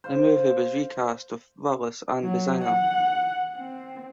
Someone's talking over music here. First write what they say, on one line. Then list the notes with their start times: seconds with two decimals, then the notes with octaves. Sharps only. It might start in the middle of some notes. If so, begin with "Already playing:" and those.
The movie was re-cast with Willis and Basinger.
0.04 C5 F5
2.23 F#3
2.65 F#5
3.56 C4